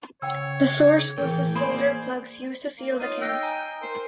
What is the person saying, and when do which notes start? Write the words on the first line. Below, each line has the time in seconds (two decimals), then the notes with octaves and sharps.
The source was the solder plugs used to seal the cans.
0.22 C#3 C#5 F#5 G5 E6
0.98 G#4
1.18 A2 C#3 E3 G#4 A#4 G5
1.55 A#3 C5 D5 G#5 B5 C6 D#6
2.79 A#3
3.00 D#4 F4 C#5 D#7
3.21 G5 E6 F#6 A#6
3.42 G#5 A#5 D#7
3.82 A#4 C5